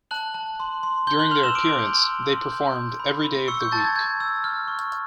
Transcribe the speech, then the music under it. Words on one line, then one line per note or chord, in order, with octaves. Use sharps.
During their appearance, they performed "Every Day of the Week".
A5 F#6 F#7
A5
C6
C6
C6 G6 G7
F#6 F#7
C6 F6 F7
E6 E7
C6 D6 D7
G6
E6
C6
G6
G6
B5
B5
C#6 E6 C#7
G6
A5 G6 A6
G#6
G6 G#6
E6
F6
C#6